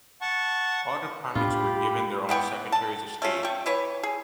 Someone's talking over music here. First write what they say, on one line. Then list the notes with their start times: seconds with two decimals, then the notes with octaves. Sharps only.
All departments were given their own Secretaries of State.
0.21 F#5 A5 C#6
1.35 A2 D4 F4 G4 B5
2.29 E3 B3 G5 C#6
2.72 A5
3.22 A3 C#4 F4
3.45 G5 C#6
3.66 E3 E4 B4 C#5
4.03 G#4